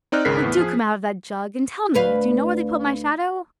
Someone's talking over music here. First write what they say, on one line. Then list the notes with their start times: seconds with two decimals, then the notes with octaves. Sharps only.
"Oh, do come out of that jug, and tell me, do you know where they put my shadow?"
0.12 C4 D#4 D5 F6 F#6
0.25 G#1 C#2 C#3 A#4 B6 C7
0.42 E2 A2 B3
0.57 F3 G#4
1.94 D2 B4 F5